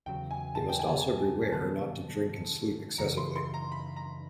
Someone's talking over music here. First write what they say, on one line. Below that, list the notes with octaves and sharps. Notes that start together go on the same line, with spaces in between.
He must also beware not to drink and sleep excessively.
E2 C#3 F#3 G5
G#5
A5
G5
G#5
C3 D#3 G3 B3 A5
F#2 C#3 E3 A#5
C6
C6
A#5
B5
A#5